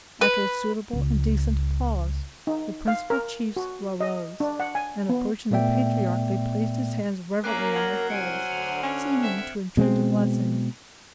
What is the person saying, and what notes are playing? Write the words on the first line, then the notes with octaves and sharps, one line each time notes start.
After a suitable and decent pause, the principal chiefs arose, and, approaching the patriarch, they placed his hands reverently on their heads, seeming to entreat a blessing.
B4
C#2
D#4
F5
A#4
F#4
D#5
D4
F#5
G#5
B3
A#2 A3 B3 D5 E5 G5
A#3 C#4 A#4 F#6 C7 F#7
F#3 F6 G#6 F#7
C2 C5 G#5 C#7 D7
D2 D3 C#7 F7
C#4
C4 E5
B2 G#3 A#3 C4